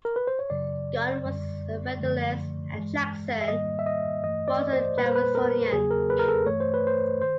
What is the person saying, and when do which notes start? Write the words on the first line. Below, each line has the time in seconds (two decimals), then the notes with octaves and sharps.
Gunn was a Federalist, and Jackson was a Jeffersonian.
0.05 A#4
0.16 B4
0.27 C5
0.39 C#5
0.50 F#2 C#3 F#3 D5
1.24 F#2 D3 G3
1.99 F#2 D3 F3 A3
2.74 G2 E3 G#3
3.41 E5
3.48 G#2 D#3 G3 A#3 D#5
3.79 E5
3.86 D#5
4.23 G2 E3 A3 D#5
4.48 D5
4.73 C5
4.98 A#2 G3 A#3 B4
5.06 C5
5.16 B4
5.35 A#4
5.72 E2 C#3 F#3 A#3 G#4
5.91 A#4
6.10 B4
6.19 A#4
6.28 A4
6.46 G2 E3 A3 C#5
6.60 C5
6.74 B4
6.87 C5
7.22 D#3 C5